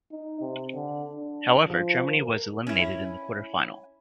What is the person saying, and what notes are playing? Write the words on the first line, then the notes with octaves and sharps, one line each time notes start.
However, Germany was eliminated in the quarter-final.
D#4
C3
D3
D4
F3
A#4
C#4 E4